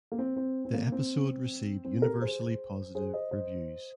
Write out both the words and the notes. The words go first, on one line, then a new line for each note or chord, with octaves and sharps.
The episode received universally positive reviews.
A#3
C4
C4
C4
A#3
C4
C4
G4 A#4
G#4 C5
G#4 C5
C5 D#5
C5 D#5